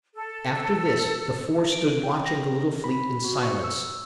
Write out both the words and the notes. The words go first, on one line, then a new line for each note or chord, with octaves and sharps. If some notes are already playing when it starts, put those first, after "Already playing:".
After this the four stood watching the little fleet in silence.
A4
D7
G5
A#6
B5
F#4
C#6
E6